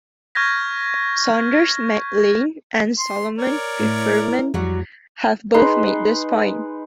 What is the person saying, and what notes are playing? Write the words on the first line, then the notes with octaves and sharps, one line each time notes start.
Saunders Mac Lane and Solomon Feferman have both made this point.
C#6 F6 G6 G#6 A#6 B6
C6
A#4 C#5 D5
A2
F2 F#3 G3 F#4
G#3 D#4 B4 C6